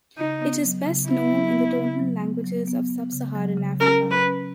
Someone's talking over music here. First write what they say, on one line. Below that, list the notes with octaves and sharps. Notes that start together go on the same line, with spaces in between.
It is best known in the tonal languages of Sub-Saharan Africa.
C#3 D#4
B3
F#3
C#3
B3 E4
F#3
B3
C#3
F#3
B3
F#3
B3
B3
C#3
F#3
C#3
C#4 A#4
F#3
B4
C#4